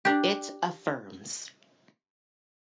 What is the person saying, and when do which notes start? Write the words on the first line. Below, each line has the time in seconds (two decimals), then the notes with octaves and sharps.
It affirms.
0.05 D4 G4